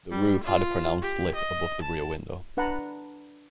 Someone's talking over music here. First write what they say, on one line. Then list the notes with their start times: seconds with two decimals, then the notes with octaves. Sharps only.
The roof had a pronounced lip above the rear window.
0.11 G3
0.44 F4
1.01 G4
1.35 D#5
1.82 A5
2.57 D4 B4 F#5 A5 A#5